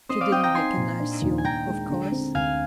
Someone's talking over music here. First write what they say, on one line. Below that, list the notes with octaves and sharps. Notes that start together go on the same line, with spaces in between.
"She didn't recognize you, of course?"
C4 C5 D#5
D5 F5
C4 D#5 G5
G5 A#5
D#4 G#5 C6
A#2
D4
D#2
G#5
D#2 G5 A#5
G#3
D3
C4
D2 F5 G#5